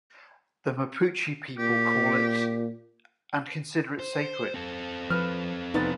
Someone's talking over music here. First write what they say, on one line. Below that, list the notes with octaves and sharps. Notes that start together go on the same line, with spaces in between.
The Mapuche people call it ', and consider it sacred.
A#2 G4
C5
C4 A4
F3 B4 F6
F1 B3 D#4 A6